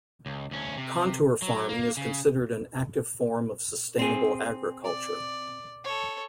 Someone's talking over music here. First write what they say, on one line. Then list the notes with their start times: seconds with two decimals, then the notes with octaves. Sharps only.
Contour farming is considered an active form of sustainable agriculture.
0.26 C#2
0.51 D2 C#4
0.77 C3
1.42 F#3
1.69 A#3
1.97 C#3
3.99 C4 G#4
4.85 D5
5.84 A4 C#5